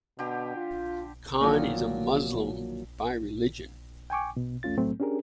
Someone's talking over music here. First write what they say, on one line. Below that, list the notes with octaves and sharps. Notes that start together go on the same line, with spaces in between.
Khan is a Muslim by religion.
B2 D3 G4
F4
A#2 D3 D#3 F3 F#3
G5 G#5 C#6 D6
B2
E2 A3 C#4 F4 A6
C2 A2 F#3 A3 C4
C#4 D4 G4 G#4 A#4